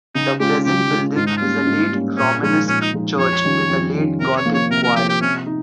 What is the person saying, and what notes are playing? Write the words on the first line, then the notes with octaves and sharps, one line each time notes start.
The present building is a late Romanesque church with a late gothic quire.
C#3 D#4
G#3 C#4 F4 G4
C#3 G4
G#3 C#4 F4
G#2 F4
D#4
G3 A#3 C#4 F4
G#2
G3 A#3 C#4
A#2 C#4
F3 G#3 C#4 D#4
A#2 C#4
D#4
F3 G#3 D#4
F2 C#5
D#3 G3 C#4 F4
F2
D#3 G3 C#4 F4
C3 A#4
C#5
F3 A#3
C#5
C3 A#4
A#4
F3 A#3 G4
G4
C3 C#4
D#4